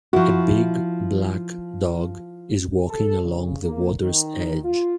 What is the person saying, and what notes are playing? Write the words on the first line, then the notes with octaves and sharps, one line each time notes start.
A big, black dog is walking along the water 's edge.
F3 E4 F#4
A4
C#3
A#3
D#3
F4